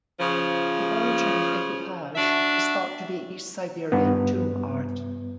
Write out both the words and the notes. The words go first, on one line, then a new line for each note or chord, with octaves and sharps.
The origin of decoupage is thought to be East Siberian tomb art.
C#3 F3
D4 F#4 E5
G2 B3